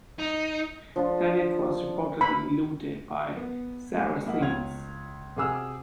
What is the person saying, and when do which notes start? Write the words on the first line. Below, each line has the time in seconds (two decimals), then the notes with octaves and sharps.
Then it was reportedly looted by Saracens.
0.19 D#4
0.96 F3 D4 F4
2.21 B5
3.36 B3
3.97 G#3
4.26 A#3 E4 D#5 F#5
4.40 C#2 C#5 F5 G#6 F7
5.36 C3 F#4 G#4 D6 E6 F6